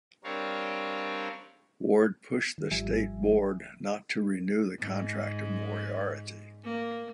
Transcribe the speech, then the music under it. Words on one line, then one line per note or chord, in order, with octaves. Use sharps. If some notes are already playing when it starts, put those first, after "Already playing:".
Ward pushed the state board not to renew the contract of Moriarty.
G3 C4 D4 A#4 C#5 F5
D#3
G#1 F3 G3 E5 G#5
G#2
A#3